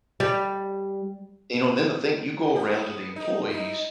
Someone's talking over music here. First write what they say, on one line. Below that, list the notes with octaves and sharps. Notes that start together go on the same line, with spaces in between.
You know? And then the thing you go around to the employees
G3
G4
B3
D#4
D#4 E4